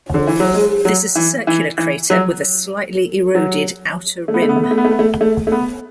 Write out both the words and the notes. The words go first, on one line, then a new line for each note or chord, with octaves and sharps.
This is a circular crater with a slightly eroded outer rim.
D3
E3
F#3
G#3
F#3
E3
E3
E3
F#3
F#3
A3
B3
A3
B3
A3
B3
A3
B3
A3
B3
A3
A3
A3
B3